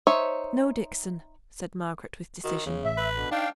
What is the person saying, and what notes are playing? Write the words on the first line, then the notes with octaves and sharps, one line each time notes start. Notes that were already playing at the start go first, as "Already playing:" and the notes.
'No, Dixon!' said Margaret with decision.
D#4 C5 C#5 E5
D#3 F#4
E2 C#3
A1 E5
B4
B2 D3
D4 D#4 F5 G5